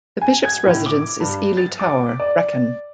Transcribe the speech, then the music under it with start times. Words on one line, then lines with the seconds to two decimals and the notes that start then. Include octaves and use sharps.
The Bishop's residence is Ely Tower, Brecon.
0.22 G#5
0.45 G#6
0.66 A2
0.86 D6
1.20 G2
1.57 A6
1.79 D6
2.20 D5